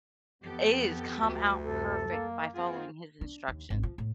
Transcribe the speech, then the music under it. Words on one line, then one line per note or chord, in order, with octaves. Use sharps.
it has come out perfect by following his instructions.
F2 B3 G4 A4
D2
F#2 C3 G3 A4
A#3
A#3 C4 F4 G#4 F#5
D4
D#2
G#1
F3
A2